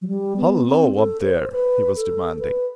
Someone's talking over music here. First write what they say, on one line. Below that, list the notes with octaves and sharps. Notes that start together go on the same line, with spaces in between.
"Hullo, up there!" he was demanding.
F#3
G3
B3
C4
A4
C5
B4
A4
B4